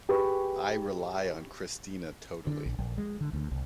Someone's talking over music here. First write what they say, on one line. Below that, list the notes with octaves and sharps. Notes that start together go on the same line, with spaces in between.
I rely on Kristina totally.
G4 G#4 B4 B5 C#6
D3
A#1
A#1
G#3
D3
D2
C2